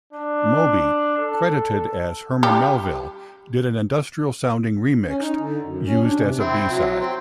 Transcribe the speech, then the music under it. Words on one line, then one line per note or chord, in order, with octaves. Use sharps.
Moby, credited as "Herman Melville", did an industrial-sounding remix used as a B-side.
D4
A4
G3 G4
C#4
D#4
D3
F#2
C#4
D4
C3
C4 E4
F#3
C4